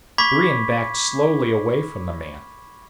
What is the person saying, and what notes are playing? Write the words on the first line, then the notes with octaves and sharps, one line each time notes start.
Brion backed slowly away from the man.
B5 C#6 D6 G#6 B6